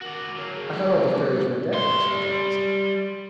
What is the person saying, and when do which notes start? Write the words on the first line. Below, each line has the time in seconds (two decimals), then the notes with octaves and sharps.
"I thought all the fairies were dead," Mrs. Darling said.
0.02 F#4 A#4 D5
0.36 F#3 A#3 C#5
0.55 G#4
0.73 G#3 D4
1.05 C5
1.27 B4
1.73 G3 C6